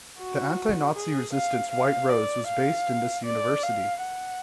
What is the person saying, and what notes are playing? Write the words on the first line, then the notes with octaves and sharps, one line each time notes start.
The anti-Nazi resistance White Rose was based in this university.
F#4
G#4
F5
F5
D5
F5
D5
F5
F#5